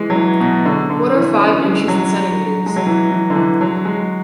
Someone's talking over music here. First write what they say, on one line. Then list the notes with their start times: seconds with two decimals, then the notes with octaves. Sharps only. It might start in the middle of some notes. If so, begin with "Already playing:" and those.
What are five inches in centimeters?
Already playing: E3 G#3
0.10 F#3
0.15 E3
0.40 B2
0.65 D3
0.90 D3
1.15 E3
1.39 C#4
1.64 G#3
1.88 F#3
2.66 G#3
2.76 F#3
2.87 E3
3.11 E3
3.30 D3
3.36 E3
3.61 F#3
3.85 G#3